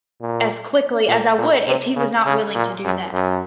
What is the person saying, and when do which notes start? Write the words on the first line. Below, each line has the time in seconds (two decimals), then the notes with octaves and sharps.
as quickly as I would if he was not willing to do that,
0.21 A#2
1.08 A#2
1.38 A#2
1.67 C3
1.96 C#3
2.26 C#3
2.55 A#2
2.84 F#2
3.13 F#2